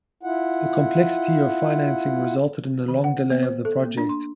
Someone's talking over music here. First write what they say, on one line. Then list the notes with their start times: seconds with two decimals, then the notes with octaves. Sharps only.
The complexity of financing resulted in the long delay of the project.
0.23 E4 F4 F#5
2.88 D#3
3.04 F#5
3.30 B3
3.43 C5
3.65 A4
3.82 A#3
3.97 D4
4.09 C6